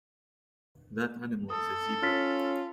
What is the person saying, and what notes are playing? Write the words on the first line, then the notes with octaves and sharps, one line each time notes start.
That animal is a Zebra.
A4 D#6
C#4 F4 F6 A6 B6